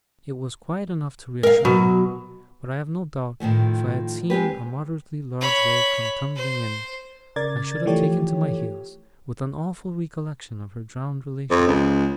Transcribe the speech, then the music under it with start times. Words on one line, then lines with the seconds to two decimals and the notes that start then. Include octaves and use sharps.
It was quiet enough to reassure me, but I have no doubt if I had seen a moderately large wave come tumbling in, I should have taken to my heels, with an awful recollection of her drowned relations.
1.43 A#4 F5
1.65 B2 F#3
3.40 A2 D#3 F3 A3
4.30 G#3 C4 G4 B4
5.41 C#5 B5
6.36 C5
7.36 C#3 A#4 D5 G#6 A6
7.86 E3 F3 A3 G4 C#5
11.50 F2
11.67 C#2